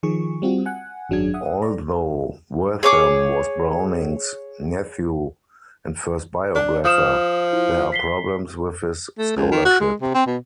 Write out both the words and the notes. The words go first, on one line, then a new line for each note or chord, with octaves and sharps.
Although Wortham was Browning's nephew and first biographer, there are problems with his scholarship.
D#3 F3 G#4 C#6
G3 C4 F4 F#4
F#5 G#5
G#1 F#2 F#3 D4 G#4 G#6
E5 F#5 D#6
D5 A#5
G#4 C#5 D6
D4
F3 D#6 F6 E7
E4
B6 C7 G7
A3
C#2
D#3
F#4
G#3
C3
C4
B2